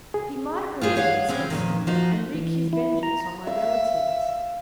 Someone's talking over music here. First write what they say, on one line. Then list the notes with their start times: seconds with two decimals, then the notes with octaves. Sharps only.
He might remain in Switzerland and wreak his vengeance on my relatives.
0.14 G#4
0.81 F4 G4 G#4 B4 C5
0.96 G2 C#5 F5 F#5
1.28 E2 C3 G#3 C4 C#4
1.50 F2 A#2 D#3
1.87 F3 D#4 F#4
2.34 E3
2.73 E4
3.03 A#5
3.47 E5 F5